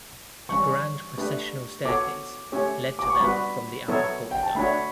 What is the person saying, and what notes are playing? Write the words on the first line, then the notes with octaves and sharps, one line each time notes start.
A grand processional staircase led to them from the outer courtyard.
E3 G3 C#4 C#6
A3 D4 G4 B4
B3 F#4 A4 C#5 D6
A3 C#4 G4 C#5
D6
C#6
G3 B3 F#4 B4 B5
F#3 B3 E4 A4 C#5
G5
A5
A3 D4 F#4 C#5 B5